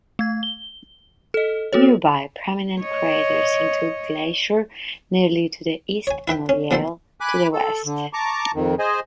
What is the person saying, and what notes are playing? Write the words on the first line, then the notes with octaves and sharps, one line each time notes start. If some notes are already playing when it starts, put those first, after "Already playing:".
Nearby prominent craters include Glaisher nearly to the east and Lyell to the west.
A3 G#6
G7
A4 D#5
B3 F#4 A4 C#5
C#5 D#5
C#5 G#5
E4 B4 E5 G5
C#4
B2 E3 A#3 A4 C5 C6
G#5 B5 D6 F#6
A4
D3
A5 A#5 C#6 D6
F2 D#3
G#4 C5 D#5 G#5